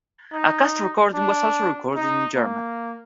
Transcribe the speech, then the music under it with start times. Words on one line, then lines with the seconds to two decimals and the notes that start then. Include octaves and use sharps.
A cast recording was also recorded in German.
0.34 D#4
1.15 D4
1.96 D#4
2.36 A#3